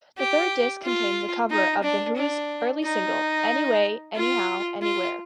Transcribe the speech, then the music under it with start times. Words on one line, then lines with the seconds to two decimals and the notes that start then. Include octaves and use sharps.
The third disc contains a cover of The Who's early single "Anyway, Anyhow, Anywhere".
0.18 G4
0.84 F4
1.51 D#4
1.83 D4
2.17 D4
2.84 D#4
4.16 F4
4.82 F4